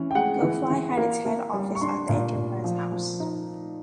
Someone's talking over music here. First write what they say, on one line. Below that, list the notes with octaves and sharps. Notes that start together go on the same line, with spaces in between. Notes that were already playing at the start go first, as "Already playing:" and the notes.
Go Fly had its head office at the Enterprise House.
Already playing: E3 C#4
G5
G#3 F#5
E3
E3
A#3
A#3
G3
C#6
D4 C6
A#2
A#2
F3
F3
D#4